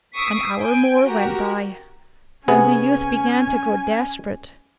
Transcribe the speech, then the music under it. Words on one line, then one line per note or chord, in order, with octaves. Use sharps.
An hour more went by, and the youth began to grow desperate.
C#6 D#6 E6 B6 C7 D7
G#5 G6 D7
F#4 G4 A#4 A#5
C3 B3 C#4 G#4 G#5